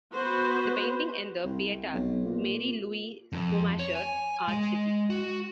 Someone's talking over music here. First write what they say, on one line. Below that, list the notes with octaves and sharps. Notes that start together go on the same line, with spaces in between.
The painting and the Pieta - Mary Louise Schumacher: Art City.
B3 F#4 B4 C5
C2
B1
A#2
F2
C#5
G#5
G#3
F#4